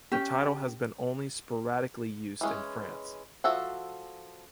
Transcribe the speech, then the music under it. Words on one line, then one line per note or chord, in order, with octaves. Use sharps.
The title has been only sporadically used in France.
C#4 G4
E3 G#3 C#4
F3 F#4 A4 E5 F#5